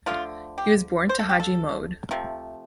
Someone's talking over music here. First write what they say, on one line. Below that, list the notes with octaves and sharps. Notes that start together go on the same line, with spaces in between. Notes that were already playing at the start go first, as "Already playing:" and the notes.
He was born to Haji Mohd.
D3 F3 A3 F4
G4
C5
A4
G4
A4
C3 F3 A3